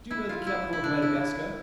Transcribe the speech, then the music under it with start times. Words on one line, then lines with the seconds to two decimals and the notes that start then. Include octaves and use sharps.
Do you know the capital of Madagascar?'
0.11 E4
0.29 F4
0.47 E4
0.73 E4
0.84 D4
1.02 E4